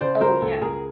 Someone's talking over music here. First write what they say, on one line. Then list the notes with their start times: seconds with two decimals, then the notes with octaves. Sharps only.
Oh, yeah.
0.01 C#3 C5 D5
0.20 F#3 A#4 C5
0.42 C#2 A4
0.61 C#2 G#4 A#4